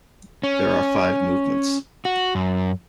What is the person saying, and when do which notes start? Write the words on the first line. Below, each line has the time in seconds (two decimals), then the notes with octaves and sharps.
There are five movements.
0.43 C#4
2.05 F#4
2.35 F#2